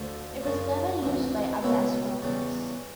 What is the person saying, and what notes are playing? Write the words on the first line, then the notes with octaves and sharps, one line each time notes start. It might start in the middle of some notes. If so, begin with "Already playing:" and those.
It was never used by other astronomers.
Already playing: D2 D3 F3
F#2 C#3 F3
D2 C3 E3
C#2 B2 F#3 B3 E4
E2 C#3 E3 G3